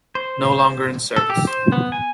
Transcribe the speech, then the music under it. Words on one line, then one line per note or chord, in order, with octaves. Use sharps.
No longer in service.
C5
A4
G4
C5
B3
G#5